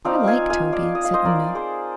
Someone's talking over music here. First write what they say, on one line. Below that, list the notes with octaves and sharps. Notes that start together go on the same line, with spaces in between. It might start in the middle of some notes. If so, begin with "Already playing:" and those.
'I like Toby,' said Una.
F3 C4 D#4 D5 F5
F5 G#5
F5 G#5
D5 F5
D#5
F5
C5 D#5
A#4 D5
G#4 C5